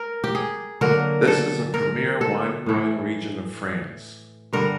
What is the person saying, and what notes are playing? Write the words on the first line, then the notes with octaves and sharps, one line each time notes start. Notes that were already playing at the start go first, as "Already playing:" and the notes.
This is a premier wine-growing region of France.
Already playing: A#4
G4
G#4
D3 F#3 A#3 A#4
A4
A#4
A4
A2 E3 A3
G2 D3 G3 A#4